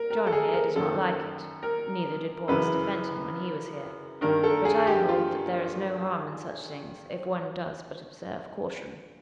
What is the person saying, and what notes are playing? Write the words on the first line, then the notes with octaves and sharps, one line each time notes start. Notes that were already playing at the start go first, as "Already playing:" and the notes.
"John here does not like it; neither did poor Mr. Fenton when he was here; but I hold there is no harm in such things if one does but observe caution."
Already playing: A#4
A#4
A4
G#4
A#4
F#2 D#3 A4
A#4
F#2 C#3 E3 B4
G2 D#3 A#4
A4
G#4
G4
F4